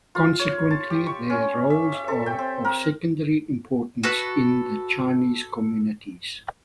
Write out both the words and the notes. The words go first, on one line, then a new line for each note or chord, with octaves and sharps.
Consequently, their roles are of secondary importance in the Chinese communities.
F4
C#5
A5
G4
C#6
C#4
E5
E5
A4
G5
C4
A#4
F#4 A4 B4